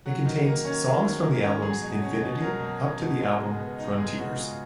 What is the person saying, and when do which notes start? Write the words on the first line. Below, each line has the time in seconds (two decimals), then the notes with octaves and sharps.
It contains songs from the albums "Infinity" up to the album "Frontiers".
0.06 F#3 F#4
0.26 D#3
0.45 A#3
0.65 C#4
0.85 F#3
1.04 D#3
1.23 A#3
1.43 C#4
1.62 F#3 G#4
1.82 B2
2.02 C#4
2.21 B2
2.41 F#3 A#4
2.60 B2
2.81 C#4
3.00 B2
3.19 G#3
3.39 C#3
3.59 B3
3.78 D#4
3.97 G#3 G#4
4.17 C#3 F#4
4.37 B3 F4